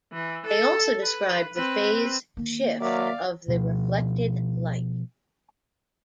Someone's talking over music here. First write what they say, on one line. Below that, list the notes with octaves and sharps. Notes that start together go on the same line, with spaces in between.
They also describe the phase shift of the reflected light.
E3
A4
B4
C4 B4
D#3 A#3
F#3 A#4 D5 E5 F5 D6
B2 F3